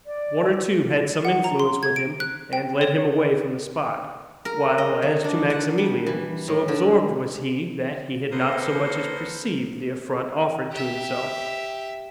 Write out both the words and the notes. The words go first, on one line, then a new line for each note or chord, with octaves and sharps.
One or two had some influence with him, and led him away from the spot; while as to Maximilian, so absorbed was he that he had not so much as perceived the affront offered to himself.
D5
F#5
A#5
C6
G#6
D7
F#6
G5
C#5
A#4
D#5
F#3
D4
F#5
G3
E3
A2
D3
A#3 B3 A4 C5
G4 E5